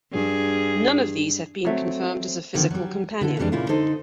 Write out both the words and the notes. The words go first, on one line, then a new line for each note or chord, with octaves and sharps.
None of these have been confirmed as a physical companion.
G2 G#4
F#3 A3 C4
D3 D#3 F3 G3 A#3 C4
F#3 G3
D3 E4 A4
F2 E3 G3 G#3 D4
A#2 C#3 A#3 E4 F4
D3 D#4 A4 C5